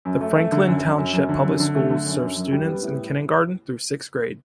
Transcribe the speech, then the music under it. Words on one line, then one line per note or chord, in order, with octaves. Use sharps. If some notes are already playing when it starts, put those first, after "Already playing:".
The Franklin Township Public Schools serve students in kindergarten through sixth grade.
F#2
A3
A3
D3
F#2
F#2
F#2
F#2
D3
F#2
D3
A3
D3
F#2
F#2
F#2
G3
B3
A2